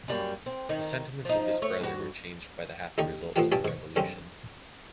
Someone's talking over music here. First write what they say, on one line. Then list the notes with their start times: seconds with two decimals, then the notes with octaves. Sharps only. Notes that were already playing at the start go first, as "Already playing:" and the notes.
The sentiments of this brother were changed by the happy results of the revolution.
0.08 F#2 G3 A#3
0.46 C4
0.69 D#3 D#4
1.25 F3 D#4
1.62 A3 C#5
1.81 G2 F#4
2.98 D#2 D3 D#4 G4 C#6
3.36 F3 A3 B3 D4 F4 G4
3.52 G2 C#4 E4 G4 D5 A5
3.65 G#2 C#6
3.96 F#2 D3 G3 C4 C#4